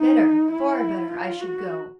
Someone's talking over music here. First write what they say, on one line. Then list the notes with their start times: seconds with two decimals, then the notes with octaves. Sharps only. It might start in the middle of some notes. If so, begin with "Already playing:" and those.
Better--far better--I should go.
Already playing: D#4
0.51 E4
1.10 F4
1.41 F#4